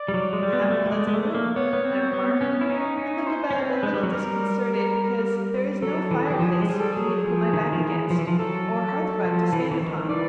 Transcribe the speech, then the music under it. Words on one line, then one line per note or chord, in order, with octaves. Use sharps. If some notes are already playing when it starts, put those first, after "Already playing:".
"You have a pleasant room," I remark, and look about a little disconcerted because there is no fireplace for me to put my back against, or hearthrug to stand upon.
Already playing: D5
G3
F#3
G#3
G3
B3
A#3
A3
G3
G#3
G#3
A3
A#3
B3 C#5
B3
C4
B3
B3 C#4
E4
C#4 D#4
C#4 D#4
C5
C#4
C4
B4
G#3
G3
F#3
G3 A#4
F#3 A4
E3
G#4
E3
G4
F3 G#4
G#3
G3 G#4
A4
F#3 G#4
F3
D#3
F3
E3
F3
E3
F3
F#3 A4
F3
E3
E3
D#3
E3 D5